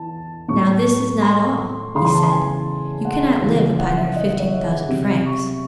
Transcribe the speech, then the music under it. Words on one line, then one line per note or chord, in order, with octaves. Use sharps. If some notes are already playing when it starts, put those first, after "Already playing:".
"Now this is not all," he said; "you cannot live upon your fifteen thousand francs."
Already playing: E3 A5
A2 F#3 C#6
C6
C#3 E3 C6
C6
A5
C6
G#5
F#5
C#3 E3
F#5
E5
D#5
D#5
C#5
E5
C3 F#3
C#6